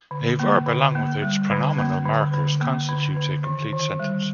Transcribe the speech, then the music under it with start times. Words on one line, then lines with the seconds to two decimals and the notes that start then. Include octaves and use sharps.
A verb along with its pronominal markers constitutes a complete sentence.
0.11 D3
0.40 A#3
0.66 D3
0.95 A#3
1.22 G3
1.51 D3
1.78 A#3
2.06 D3
2.34 D3
2.61 A#3
2.89 D3
3.17 D3
3.44 D#3
3.73 D#3
3.99 G3